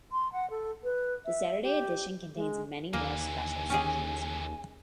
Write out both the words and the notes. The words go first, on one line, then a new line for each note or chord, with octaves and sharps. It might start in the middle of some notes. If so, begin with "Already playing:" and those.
The Saturday edition contains many more special sections.
C6
F#5
A4
B4
E5
G4
G#3
D#2 D3 E3 A#3 G#5
C#4 G4 G#4